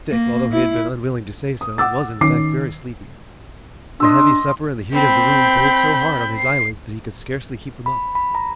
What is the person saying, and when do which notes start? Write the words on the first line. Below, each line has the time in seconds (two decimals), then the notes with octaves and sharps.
Dick, although he had been unwilling to say so, was in fact very sleepy. The heavy supper and the heat of the room pulled so hard on his eyelids that he could scarcely keep them up.
0.10 A#3
0.52 E4
1.61 D#6
1.78 F#5 D6 E6 A6
2.21 D#3 C#4 D6 C7
4.00 D4 D#5 C6 E6
4.93 C4 B5 G6
6.37 C7
7.86 B5
8.15 B5
8.35 A#5